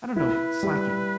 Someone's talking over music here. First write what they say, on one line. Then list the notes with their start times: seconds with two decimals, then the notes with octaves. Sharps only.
I don't know, slacking,
0.16 E4 B4
0.63 G3